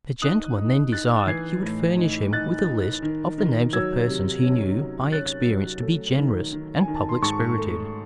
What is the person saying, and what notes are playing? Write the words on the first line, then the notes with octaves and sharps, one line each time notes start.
The gentleman then desired he would furnish him with a list of the names of persons he knew by experience to be generous and public-spirited.
D#4 D#6 F#6
D#4
D#4 F#6 A6
E3 G#6 C7
A2
D#4
D#4 F#6 A6
D#4
D#3
D#3
F#3 E6 G#6
C3
C#4
F#3
C#4 F#6 A6
F#3
A3
D#3
D#3
G#5
D#3
A5
C6
G#2 A5 C#6
A3